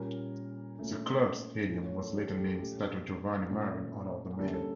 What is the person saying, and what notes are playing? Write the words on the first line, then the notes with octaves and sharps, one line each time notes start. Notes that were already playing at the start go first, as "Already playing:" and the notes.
The club's stadium was later named Stadio Giovanni Mari in honour of the man.
Already playing: A#2 G3 A#3 C#4 A#4
A#2 A3 C#4
A2 F3 C#4
C#5
A4
G4
A4
G4
A4
A#2 A3 C#4 G4
A#2 A3 C#4
D3 G3 A#3 C#4 A4
A4